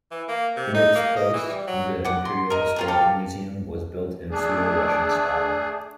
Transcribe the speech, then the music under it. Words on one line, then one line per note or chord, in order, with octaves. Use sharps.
In its place the Imperial Historical Museum was built in pseudo-Russian style.
E3
A#3
C3
D#4
A#3
D#5
E3
G3
F#3
F#5 D6
C6
A#4 D#5
F4 G#4 A#5
G4 A4 F5
A3 D4 G#4